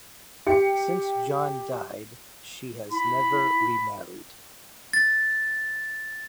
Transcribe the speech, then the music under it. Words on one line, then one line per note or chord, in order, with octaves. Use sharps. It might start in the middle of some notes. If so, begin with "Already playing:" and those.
Since John died, she has never remarried.
G4 C#7
E4 B5
A6